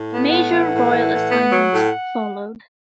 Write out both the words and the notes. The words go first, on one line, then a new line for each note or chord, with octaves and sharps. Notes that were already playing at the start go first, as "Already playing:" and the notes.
Major royal assignments followed.
Already playing: A2
B3
A2 F#5
E3
A2
E3
A2
B3
F#3
A2